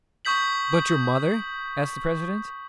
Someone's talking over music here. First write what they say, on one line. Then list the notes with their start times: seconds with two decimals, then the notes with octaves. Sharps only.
"But your mother?" asked the president.
0.25 C#6 D#6 G6 B6 F#7